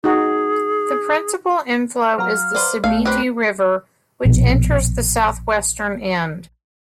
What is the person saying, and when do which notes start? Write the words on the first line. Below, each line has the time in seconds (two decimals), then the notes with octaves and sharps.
The principal inflow is the Sibiti River, which enters the southwestern end.
0.04 D#4 F#4 G#4
2.18 F#3 F5 A#5
2.55 B4 C5 D5
2.84 B1 A3 C#5 F5
3.05 C4 G4 B4
4.25 A#1 B2